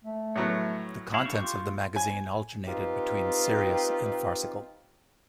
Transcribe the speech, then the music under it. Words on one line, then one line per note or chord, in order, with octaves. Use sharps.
The contents of the magazine alternated between serious and farcical.
A3
A2 F#3 B3 C#5
E4 F5
D4 G4 C#6
F4
G#5
C4 D#4 F4 G4 B4